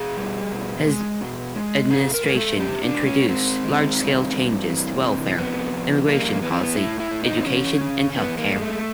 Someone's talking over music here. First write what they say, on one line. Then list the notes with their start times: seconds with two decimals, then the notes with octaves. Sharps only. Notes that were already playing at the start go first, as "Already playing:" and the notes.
His administration introduced large-scale changes to welfare, immigration policy, education, and healthcare.
Already playing: B2 G#4
0.17 G3
0.52 B2
0.87 G#3
1.21 B2
1.55 G#3
1.90 B2 G#4
2.14 A#4
2.25 G#3 A#4
2.37 A4
2.59 B2 G4
2.83 D4
2.95 G#3
3.06 C#4
3.29 G#3 C4
3.64 D#3
3.99 G2
4.33 G2
4.68 E3
5.03 C3
5.38 F2 B3
5.72 F2
6.07 G3 A#3
6.42 E3 B3
6.52 C4
6.62 B3
6.77 A2 E4
7.00 E4
7.11 A2
7.24 D#4
7.39 C4
7.46 E3 C#4
7.81 C#3
8.16 E2 B3
8.38 A#3
8.50 G#3
8.61 A3